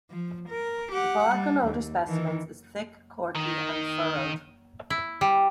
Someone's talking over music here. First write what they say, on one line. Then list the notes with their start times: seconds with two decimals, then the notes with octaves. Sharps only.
The bark on older specimens is thick, corky and furrowed.
0.11 F3
0.49 A#4
0.92 G4 F#5
1.30 G3
1.66 D#2
2.07 D#3 E3
3.36 D#3
4.90 E4
5.21 G3